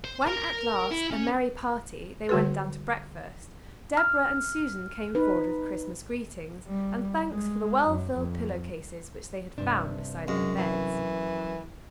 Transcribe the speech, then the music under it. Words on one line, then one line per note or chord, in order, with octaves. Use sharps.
When at last, a merry party, they went down to breakfast, Deborah and Susan came forward with Christmas greetings, and thanks for the well-filled pillow-cases which they had found beside their beds.
C5
A#4 A#5
E4
C#4
D3 G3 F#4 G#4 B4
F6
D#4 B4
G3
G#3
F#2
F2
G2 C3 D4
F#2 G#3
E3